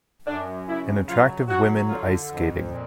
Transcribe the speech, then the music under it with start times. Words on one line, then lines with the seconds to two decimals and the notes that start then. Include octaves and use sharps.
An attractive women ice skating.
0.27 F#2 D4
0.68 C#3 E4
1.08 F#3 F4
1.48 F#3 F#4
1.89 D3 F4
2.29 F2
2.70 A#2